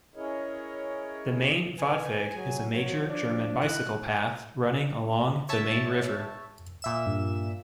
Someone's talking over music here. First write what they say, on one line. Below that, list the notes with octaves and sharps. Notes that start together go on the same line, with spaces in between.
The Main-Radweg is a major German bicycle path running along the Main River.
C#4 E4 G#4 A#4 C#5 D#5
B4 G#5
F#3 G#4
F3 F#3 C#5
D4
D#4 E4 F#6
C#5 E5 A5
A#2 E5 E7
G2